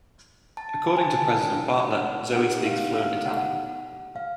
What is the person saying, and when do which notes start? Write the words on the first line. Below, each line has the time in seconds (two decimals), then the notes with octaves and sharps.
According to President Bartlet, Zoey speaks fluent Italian.
0.57 A5
0.97 G#5
1.02 A5
1.47 G5
1.92 F#5
2.36 B3 D#4 G4 F#5
2.66 F5
2.95 F5
3.26 F#5
4.16 F5